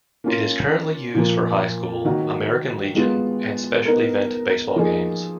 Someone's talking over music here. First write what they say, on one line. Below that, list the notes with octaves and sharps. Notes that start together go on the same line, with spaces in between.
It is currently used for high school, American Legion, and special event baseball games.
A#3 C#4 F4
A#2 F3 A#3
D#3 F#3 A#3
G#3 B3 F4
B3 D#4 A#4
F3 A#3 D#4 G#4